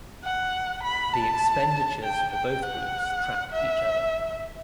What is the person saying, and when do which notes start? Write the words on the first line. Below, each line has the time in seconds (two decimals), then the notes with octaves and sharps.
The expenditures for both groups tracked each other.
0.24 F#5
0.83 B5
1.13 A5
2.03 G5
2.33 G5
2.63 F#5
3.52 E5